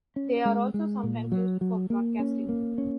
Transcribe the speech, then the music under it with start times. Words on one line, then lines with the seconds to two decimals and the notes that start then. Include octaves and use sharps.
They are also sometimes used for broadcasting.
0.16 C#4
0.45 G#3
0.74 G#3
1.03 A#2
1.32 F#3
1.61 F#3
1.90 A#3
2.19 C#4
2.49 A#3
2.78 C#4